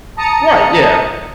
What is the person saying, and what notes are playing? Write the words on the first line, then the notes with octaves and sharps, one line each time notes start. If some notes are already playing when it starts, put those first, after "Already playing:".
Right, yeah,
A5 A#5 D#6 C#7